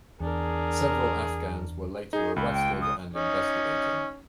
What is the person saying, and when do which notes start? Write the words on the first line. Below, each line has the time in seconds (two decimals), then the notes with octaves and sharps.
Several Afghans were later arrested and investigated.
0.20 E2 D4 G#4 A#4
2.13 D#4 G#4
2.36 C#2 B5
2.53 G5
2.81 D#6
3.14 C#4 D#4